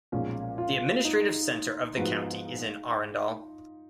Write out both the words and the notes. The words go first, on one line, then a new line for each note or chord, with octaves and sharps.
The administrative center of the county is in Arendal.
B1 A#2 F3 G#3 C#4
F4
D#4
G#2 F3 B3 F#4